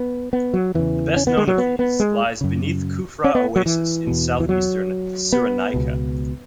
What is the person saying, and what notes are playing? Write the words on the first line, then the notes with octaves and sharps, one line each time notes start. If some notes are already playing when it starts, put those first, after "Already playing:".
The best known of these lies beneath Kufra Oasis in southeastern Cyrenaica.
Already playing: B3
B3
F#3
E2 C#3 E3
C#4
B3
G#3
F#3
B3
B3
G#3
F#2 C#3
C#4
B3
F#3
E3
E2 B2
E3
F#3
B3
C#2 B2